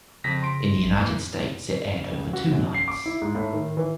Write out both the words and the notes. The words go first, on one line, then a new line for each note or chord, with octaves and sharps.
In the United States, it aired over two nights.
F2 C#3 A#6 B6
C6 D7
A1
F2 E3 A#3
C#3
C#2
F#4
F#2
C7
D6
E4
G#2
A2
D#3
E3